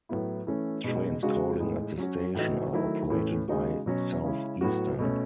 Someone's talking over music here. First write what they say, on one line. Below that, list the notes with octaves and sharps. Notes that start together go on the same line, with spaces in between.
Trains calling at the station are operated by Southeastern.
A2 F#3 B3 E4
E3 A3 C#4
B2 G#3 D#4
C#3 G#3 D#4 F#4
A2 G#3 D#4
F#3 C#4 F#4
A2 E3 A3 D#4 F#4
D#3 F#3 A3 E4
A2 E3 A3 C#4
C#3 G#3 D#4 F#4
B2 F#3 C#4
C#3 G#3 C#4 E4
A2 F#3 B3 F#4
B2 A3 C#4